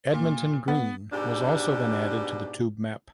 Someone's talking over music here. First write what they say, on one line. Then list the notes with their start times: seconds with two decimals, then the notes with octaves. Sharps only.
Edmonton Green was also then added to the Tube map.
0.14 A#2
0.68 B3
1.12 G#2 B2 D4 G4